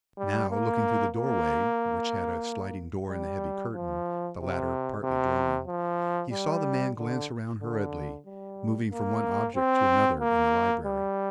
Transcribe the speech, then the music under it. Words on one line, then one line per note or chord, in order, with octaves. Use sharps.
Now, looking through the doorway, which had a sliding door and a heavy curtain, the latter partly drawn, he saw the man glance around hurriedly, moving from one object to another in the library.
G3
A#3
A#3
G3
F3
C3
C3
F3
G3
D3
D3
G3
A#3
C4
A#3
G3